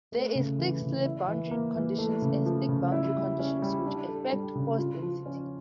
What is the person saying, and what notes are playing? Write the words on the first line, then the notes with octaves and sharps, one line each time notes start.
There is stick-slip boundary conditions and stick boundary conditions which effect force density.
A3
C#3
E3
C#3
E4
E3
A#3
E3
A3
C#3
F3
C#3
E4
G3
C#4
G3
D4
A4
G3
C#3
F4
F3
C#4